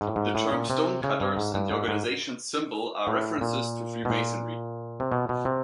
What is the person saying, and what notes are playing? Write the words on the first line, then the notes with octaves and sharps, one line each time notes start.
The term "Stonecutters" and the organization's symbol are references to Freemasonry.
G#2
A2
G#2
A2
A#2
C3
C#3
G2
G#2
G2
G#2
G#2
A2
A#2
B2
A#2
C3
B2
B2
C3